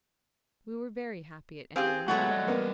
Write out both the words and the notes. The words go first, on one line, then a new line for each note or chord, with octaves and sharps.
We were very happy at Enderley.
C4 G4 G#4 F5 G#5
F#3 G#3 A3 B3 F#4
G3 D#5
A#3 B3